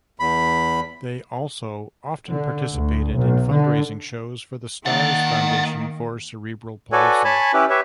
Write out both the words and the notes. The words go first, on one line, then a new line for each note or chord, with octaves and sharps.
They also often participated in fundraising shows for the Stars Foundation for Cerebral Palsy.
E2 B5
D3
D2
B1
D3
D#3 A#3 D5 F#5 A6
F#4 A4 B4 C#5 D5 G#5
C#5 G#5 A5 B5
C#4 E4 G4 B4
G4 B4 C#5 E5